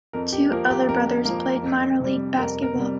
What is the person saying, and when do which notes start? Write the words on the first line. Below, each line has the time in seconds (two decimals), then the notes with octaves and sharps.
Two other brothers played minor league basketball.
0.13 F2 A#4
0.33 G4
0.51 F3 A#3 A#4
0.70 G4
0.88 F2 A#4
1.25 F3 A#3
1.63 F2
2.00 C3 G3
2.37 F2 A#4
2.62 A#4
2.75 C3 G3